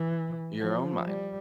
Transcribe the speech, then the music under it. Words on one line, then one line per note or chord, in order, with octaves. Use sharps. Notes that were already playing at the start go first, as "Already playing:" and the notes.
your own mind?
Already playing: E3
F3
G3